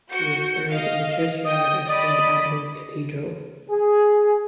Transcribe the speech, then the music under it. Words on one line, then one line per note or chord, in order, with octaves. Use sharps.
He is buried in the churchyard at St Andrews Cathedral.
F#4 G6 C#7
D#5 F5
D#5 G5 D#6
D5 D#5 B5
G#4